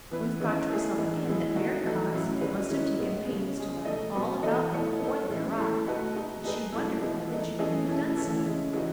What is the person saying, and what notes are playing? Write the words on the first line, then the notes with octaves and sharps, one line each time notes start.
Ruth thought to herself again that Mary Cox must have taken pains to learn all about them before they arrived, and she wondered why the Junior had done so.
E3 B3 E4 B4
D#3 G#3 C#4 E4 B4
A3 E4 G#4
A2 E3 G#3 B3 D#4
A2 G#3 B3 E4 G#4
D#3 A3 D#4 F#4
E3 A3 D#4 F#4 A4
A2 F#3 C#4 E4
D#3 G#3 C#4 F#4 B4
D#3 G#3 C#4 E4
A2 G#3 B3
C#3 G#3 C#4
G#3 C#4 G#4
B2 A3 D#4 A4 D#5
B2 F#3 B3 F#4
E3 B3 D#4 A4 D#5
B2 A3 E4 A4 C#5
B3 D#4 A4
A2 G#3 C#4
A3 E4 A4
B2 A3 D#4 F#4 B4
G#3 D#4 F#4
A3 D#4 G#4 B4
B2 F#3 A3 E4
E3 G#3 B3 E4
E3 A3 D#4
E3 A3 C#4 G#4 D#5
B2 A3 C#4 E4
E3 A3 C#4 E4
C#3 G#3 C#4
E3 G#3 D#4 F#4